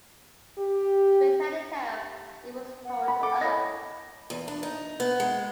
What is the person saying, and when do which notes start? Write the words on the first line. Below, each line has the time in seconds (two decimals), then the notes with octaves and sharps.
We tell the tale as it was told to us.
0.58 G4
2.85 F#5
3.08 B5
3.23 A4 D6
3.41 E4 B4 C#5 D#5 A#6
4.30 E2
4.48 D4
4.63 D#4
5.00 B3
5.20 G#3